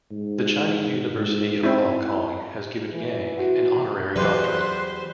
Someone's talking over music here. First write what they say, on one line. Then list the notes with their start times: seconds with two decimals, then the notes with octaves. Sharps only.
The Chinese University of Hong Kong has given Yang an honorary doctorate.
0.11 G#2
1.13 G#2
1.63 C4 E4
2.93 E3
3.38 F#4 F#5
4.16 E2 F#3 G4 B4 C5 D5 C6 F#6